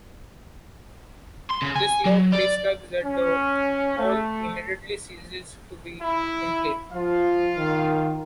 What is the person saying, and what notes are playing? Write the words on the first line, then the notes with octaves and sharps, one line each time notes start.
This Law prescribes that the ball immediately ceases to be in play.
C6
C#3
G#5
F#3
D5
C#4
A3
E4
F3 F4 F5
D#3